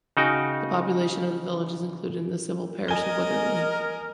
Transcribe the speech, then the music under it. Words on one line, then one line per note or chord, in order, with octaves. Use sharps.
The population of the village is included in the civil parish of Witherley.
C#3 D#4 F#4 G5
A#4 D#5 G#5 G7